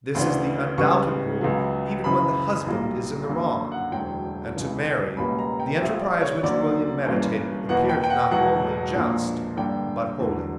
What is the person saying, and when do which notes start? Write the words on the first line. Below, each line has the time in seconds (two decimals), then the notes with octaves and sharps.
This is the undoubted rule even when the husband is in the wrong; and to Mary the enterprise which William meditated appeared not only just, but holy.
0.15 D2 C#3 E3 B3 D4
0.78 C#2 C#3 G3 B3 C#6
1.41 C#2 C#3 F#3 B3
2.04 F#1 F#2 C#3 E3 B5
2.66 B1 A#2 G3 A#3
3.29 F#2 D3 A#3 C#4
3.72 F#5
3.92 E1 D2 D3 F#3 G5
4.54 C#2 C#3 E3
5.17 C#2 B2 G3 A#3 C#4 B5
5.39 A#5
5.60 G5
5.80 A#1 A#2 G3 E5
6.01 D5
6.22 C#5
6.43 D2 D3 F#3 A#3 D5
7.06 G1 G2 E3 A#3 C#4
7.68 E2 B2 A#3 F#5
7.89 G5
8.04 G5
8.10 F#5
8.31 E1 E2 B2 F#3 F#5
8.94 A#1 A#2 A#3 D4
9.57 G2 D3 A#3 D4 G5
10.19 E1 E2 D3 F#3